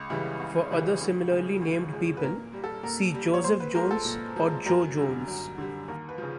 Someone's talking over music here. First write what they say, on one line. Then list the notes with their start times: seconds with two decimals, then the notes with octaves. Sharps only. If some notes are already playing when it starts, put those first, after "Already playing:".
"For other similarly named people, see Joseph Jones or Joe Jones".
Already playing: C#2
0.10 C#3 E3 G3
0.40 C#2
0.71 C#3 E3 G3
1.01 D2
1.31 C#3 F3 G#3
1.62 D2
1.93 C#3 F3 G#3
2.17 B4
2.23 A#2 A#4
2.53 G3
2.64 A4
2.83 A#2 A#4
3.14 G3
3.34 C#5
3.44 A#2 C5
3.60 B4
3.74 F3 G#3 A#4
3.91 A4
4.05 A#2
4.36 F3 G#3
4.66 F#2 A#4
4.97 D3 G3
5.28 F#2
5.58 D3 G3
5.88 D#2 A#4
6.09 B4
6.18 C#3 F3